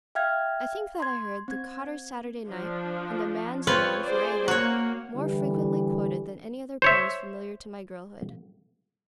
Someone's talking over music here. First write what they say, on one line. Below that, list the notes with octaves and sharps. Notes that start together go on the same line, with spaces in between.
I think that I heard the "Cotter's Saturday Night" and "A man's a man for a' that" more frequently quoted than any other poems familiar to my girlhood.
E5 F5 G5 F6 G#6
C6 G#6
C4 G#6
F3 D4
C4 F4 B4 C#5
G#4 C5 D5
A#3 F#4 C#5
D3 E3 G3
C5 C#5 E5